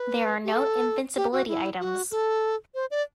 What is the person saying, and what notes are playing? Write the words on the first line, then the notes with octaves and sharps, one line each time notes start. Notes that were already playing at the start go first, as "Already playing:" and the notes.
There are no invincibility items.
Already playing: B4
G4
A4
G4
F#4
E4
F#4
A4
C5
D5